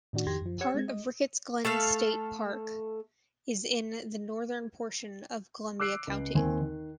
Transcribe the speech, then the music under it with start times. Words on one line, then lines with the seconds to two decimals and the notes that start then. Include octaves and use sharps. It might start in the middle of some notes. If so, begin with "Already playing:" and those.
Part of Ricketts Glen State Park is in the northern portion of Columbia County.
0.13 A2 D#3 D4 F#4
0.26 F2 D#3 G4 C6 G#6 A#6
0.41 F#2 F3
0.61 G4 C#5 F#5 E6 G#6 C#7
0.74 G#3 C4 G#6
0.88 D#5
1.65 A3 A4 F5
5.80 D6 E6 F#6 C7 D7
6.07 C#2
6.35 D#2 D#3 C4 G#5
6.61 D#3